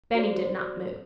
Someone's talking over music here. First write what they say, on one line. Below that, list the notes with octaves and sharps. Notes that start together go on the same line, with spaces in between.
Benny did not move.
F#4 C5 D5